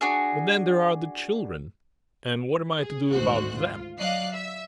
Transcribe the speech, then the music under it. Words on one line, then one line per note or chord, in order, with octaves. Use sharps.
But then there are the children, and what am I to do about them?
D4 F#4 G#4
G#4
G#1 D2 G#2 F#4 C5 F#6
F4
F#3 D5 D#5 F5 F#6 C7
E5